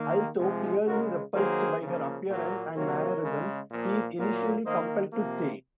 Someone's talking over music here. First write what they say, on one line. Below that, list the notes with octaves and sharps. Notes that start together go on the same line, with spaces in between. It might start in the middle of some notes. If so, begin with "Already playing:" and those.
Although clearly repulsed by her appearance and mannerisms, he is initially compelled to stay.
Already playing: D#3 A#3
C3 F3 G#3
C#3 G#3 F#4 A#4
D#3 F#3 A#3 G#4 C5
C#3 F3 A#3
A#2 F#3 A#3
C3 F#3 A#3 A#4 C#5
C#3 G#3
A#2 F3 A#3
A#2 F#3 A#3
D#3 A#3 C5 D#5
C3 F3 A#3